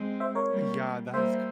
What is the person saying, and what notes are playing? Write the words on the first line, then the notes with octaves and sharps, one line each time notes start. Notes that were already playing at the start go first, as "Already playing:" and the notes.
Yeah, that is c
Already playing: G#3 C4
C5 E5
A#4 C#5
G3 A#3
G3 A#3 C5 E5